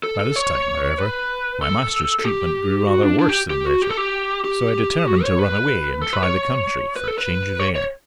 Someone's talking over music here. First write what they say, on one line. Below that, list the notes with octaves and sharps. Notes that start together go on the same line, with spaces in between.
By this time, however, my master's treatment grew rather worse than better, so I determined to run away and try the country, for a change of air.
A4
A4
C#5
B4
A4
A4
G4
F#4
D4
D4
G4
G4
F#4
G4
A4
G4
G4
F#4
C#5
B4
A4
B4
C#5
B4
A4
B4
C#5
C#5